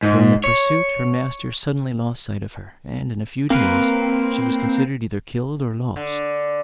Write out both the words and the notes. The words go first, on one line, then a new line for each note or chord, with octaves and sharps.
During the pursuit her master suddenly lost sight of her, and in a few days she was considered either killed or lost.
G#2
C#5
A#3 C4 A#4 B4
D3